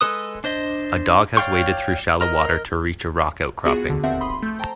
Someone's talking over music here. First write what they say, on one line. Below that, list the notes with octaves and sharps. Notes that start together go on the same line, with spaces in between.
A dog has waded through shallow water to reach a rock outcropping.
G#3 A4 B4 D#6
D4 C5 D#5
C#5 D5 F5 G5 C#6
A#4 D#5
B3 F4 F#4 G#4
D3
D#2 F3 C4 E5 F#5
B5 C6 D#6
A3 G6
C5 G5 A5 A#5